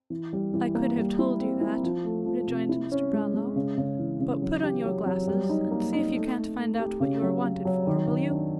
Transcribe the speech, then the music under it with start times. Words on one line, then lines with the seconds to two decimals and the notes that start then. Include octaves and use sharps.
'I could have told you that,' rejoined Mr. Brownlow; 'but put on your glasses, and see if you can't find out what you were wanted for, will you?'
0.10 E3
0.33 G3
0.54 E3
0.75 A#3
0.98 G3
1.19 E4
1.40 C4
1.61 E4
1.83 F3
2.04 A3
2.26 F3
2.47 C3
2.69 E4
2.92 C#4
3.13 G#3
3.34 G#3
3.56 C#3
3.78 C#3
3.99 E3
4.20 C#3
4.42 F#3
4.63 G4
4.85 F#3
5.06 F#3
5.28 G3
5.49 D#4
5.71 A#3
5.93 D#4
6.15 A3
6.35 A3
6.57 A3
6.79 G4
7.00 C#3
7.22 F#3
7.44 F#3
7.65 F#3
7.87 D#3
8.08 D#3
8.31 D4